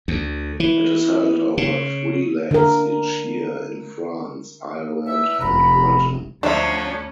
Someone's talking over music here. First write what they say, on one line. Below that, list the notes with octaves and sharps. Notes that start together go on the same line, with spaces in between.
It is held over three legs each year in France, Ireland and Britain.
D2
E3
C#3
D3 A#4
E2 E5 E6
F1 F#4 A#5 B5
D2 D3 F3 F#3 C#4 D4 C5 E5